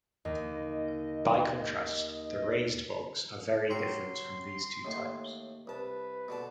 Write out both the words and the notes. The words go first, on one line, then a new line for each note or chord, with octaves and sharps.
By contrast the raised bogs are very different from these two types.
D#2 D#5
F#3 G4 A#4 C6
D#2 A2
C2 B4 A5
B2 D3 A5